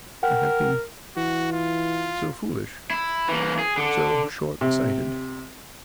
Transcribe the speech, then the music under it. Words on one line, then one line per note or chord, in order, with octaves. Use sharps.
I have been--so foolish--so short-sighted.
A#4 F#5 G5
E3 F#4
F4
E4
E3 A#3
G#4
D3
C3